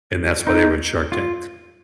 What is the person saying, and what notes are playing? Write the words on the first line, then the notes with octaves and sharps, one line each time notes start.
and that's why they were in Shark Tank,
D#4
F4